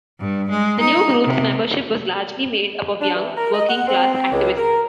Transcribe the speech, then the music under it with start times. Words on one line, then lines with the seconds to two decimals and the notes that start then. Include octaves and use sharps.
The new group's membership was largely made up of young, working class activists.
0.19 G2
0.50 G#3
0.79 D#4
1.26 C3
3.01 D4
3.15 E3
3.37 A#4
3.54 D#5
3.69 F#5
3.88 C4
4.14 C4
4.32 C#2
4.58 A#4